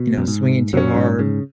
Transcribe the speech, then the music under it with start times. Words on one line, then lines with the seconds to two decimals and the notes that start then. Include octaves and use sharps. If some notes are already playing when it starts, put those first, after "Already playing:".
you know, swinging too hard.
Already playing: B2
0.18 F#2
0.28 G#2
0.73 F#2 F#3 C#4
0.96 G#2
1.19 G#2 C#3